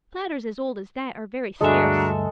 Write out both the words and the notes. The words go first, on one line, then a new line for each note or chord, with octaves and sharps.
Platters as old as that are very scarce.
D2 G2 G#3 D4 F#4 A4 E5 A#5